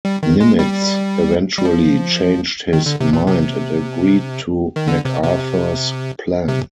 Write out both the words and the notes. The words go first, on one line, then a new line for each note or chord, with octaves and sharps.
Nimitz eventually changed his mind and agreed to MacArthur's plan.
G3
D#3
G#3
G3
G3
F3
D#3
D3
C3
A#2
C3
D#3
D3
C3
C3
C3